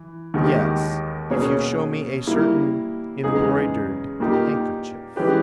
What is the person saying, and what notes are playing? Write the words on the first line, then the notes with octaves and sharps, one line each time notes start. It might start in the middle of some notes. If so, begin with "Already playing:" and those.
"Yes, if you show me a certain embroidered handkerchief."
Already playing: E3
D#2 D#3 G#3 B3 G4
B2 A#3 C#4 G#4 C#5
G3 A#3 E4
E2 C#3 G#3 D#4 G#4
A#2 A#3 D#4 G4
E3 G#3 C#4 G4 B4